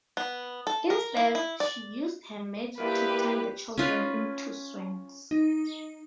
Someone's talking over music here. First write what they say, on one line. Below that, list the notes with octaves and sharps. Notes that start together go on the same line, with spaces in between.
Instead, she used her magic to turn the children into swans.
B3
A4
A#4
E4
E4
D5
A#3 E4 F4 G4 B4
C#4 F4 B4
D#4